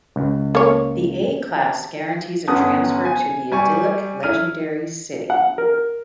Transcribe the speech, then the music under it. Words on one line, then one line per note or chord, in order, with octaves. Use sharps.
The A class guarantees a transfer to the idyllic, legendary "City".
C#2
A#3 C#5
G1 B3 C#4 F#5 D#6
G#5
G3 G#5 C#6
E4 F6 D#7
F#5
A#4